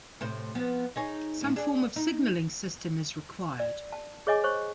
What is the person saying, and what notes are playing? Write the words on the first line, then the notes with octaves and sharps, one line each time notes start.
Some form of signalling system is required.
A2 C3 C5
F3 B3
D#4 G#4 C#5
D#2 A2
D4 G#4
D#4
D5
A5
G#4 C#5 D#5 G#5 D6
C5 C#5 C#6